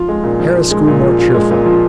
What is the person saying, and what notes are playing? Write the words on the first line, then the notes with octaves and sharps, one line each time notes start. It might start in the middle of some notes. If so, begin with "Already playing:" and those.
Harris grew more cheerful.
Already playing: F3 F4
G#3
A#2
F3
F4
G#3
A#2
F3
F4
G#3
A#2
F3